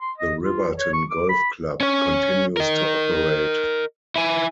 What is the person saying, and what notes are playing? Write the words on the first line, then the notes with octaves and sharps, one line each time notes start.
The Riverton Golf Club continues to operate.
C6
D#5
F4
C#5
C#6
D6
B5
C#4 C#5
A#4 D#5
E4 G#5